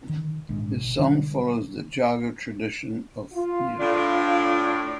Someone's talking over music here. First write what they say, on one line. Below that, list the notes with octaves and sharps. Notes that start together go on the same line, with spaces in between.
His songs follows the Jagar tradition of music.
D#3
G#1 A#2 G#3 D4
B2
D3 F#3 G3
F4
A2 D4